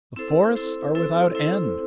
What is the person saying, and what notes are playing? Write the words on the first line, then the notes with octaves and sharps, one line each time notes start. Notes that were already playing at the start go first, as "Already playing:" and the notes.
The forests are without end.
C4 E4 A4 C5
C4 E4 A4 C5
C4 E4 A4 C5
C4 E4 A4 C5